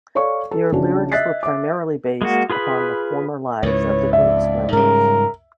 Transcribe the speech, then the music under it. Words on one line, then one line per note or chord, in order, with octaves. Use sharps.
Their lyrics were primarily based upon the former lives of the group's members.
A4 C#5 D5 F5 C#6
A4
A#1 C#3 C#4 D4 F#4
D#5 E5 F#6 A6 B6 C7
E5 D6
G#3 A#3 F#4
F4 G#4 B4 B5
C#2 G#2 E4 B4 C#5
F2 D5 E5
G#2 C#3 G3 A#4